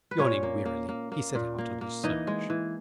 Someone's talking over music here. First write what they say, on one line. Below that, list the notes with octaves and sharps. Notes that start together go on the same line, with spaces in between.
Yawning wearily he set out on his search.
B4
A#2 C#4 C#5
A#3
A#3
A#3
A#3
A#2
A#3
A#3
E3 D#4 D#5
G#3
E3